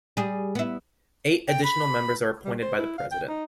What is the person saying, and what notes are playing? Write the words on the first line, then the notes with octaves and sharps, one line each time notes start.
Eight additional members are appointed by the President.
G3 G#4
B3 E4
G5
B5
G3
C5
E4
F5
G5
D#4